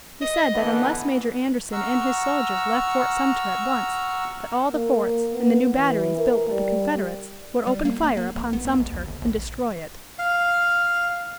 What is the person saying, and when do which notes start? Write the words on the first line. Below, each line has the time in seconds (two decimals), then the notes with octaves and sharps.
He said that unless Major Anderson and his soldiers left Fort Sumter at once that all the forts, and the new batteries built by the Confederates, would open fire upon Sumter and destroy it.
0.21 D#5
0.54 D3 E3 B3
1.72 F#5 A#5 C#6 E6 F6
4.73 A#3
5.33 B3
5.72 E3
6.18 A#4
6.49 G3
7.67 G3
7.85 A#3
8.02 D1
8.17 A#3
8.36 A#1
8.53 B3
8.65 D2
8.80 A#1
8.93 D#2
9.07 G1
9.21 A#1
10.19 F5